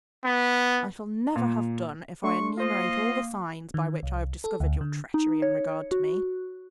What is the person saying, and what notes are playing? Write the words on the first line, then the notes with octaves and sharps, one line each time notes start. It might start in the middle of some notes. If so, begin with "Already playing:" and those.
I shall never have done if I enumerate all the signs by which I have discovered your treachery in regard to me.
B3
A#2
A3 D4 C6 C#6
A#3 F4 C5 D#5 F5 C6
D#3
C2
A4
D2
D3
D#4
C#5
F#4